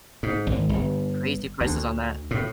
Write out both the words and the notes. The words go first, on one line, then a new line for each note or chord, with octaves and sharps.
Crazy prices on that.
G#2
G#1
G1
D2
A2